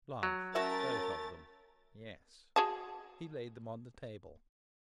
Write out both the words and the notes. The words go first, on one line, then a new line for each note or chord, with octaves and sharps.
Blanched, both of them, yes. He laid them on the table.
F#3
A3 C#4 F#4 A#4 E5 A6
F#4 G#4 A5